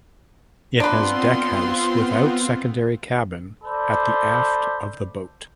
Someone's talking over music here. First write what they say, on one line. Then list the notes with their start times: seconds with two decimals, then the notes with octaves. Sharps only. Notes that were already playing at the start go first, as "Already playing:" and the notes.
It has deckhouse without secondary cabin at the aft of the boat.
0.80 B3 C4 D4 F4 B4 C6
3.64 A4 C5 D5 B5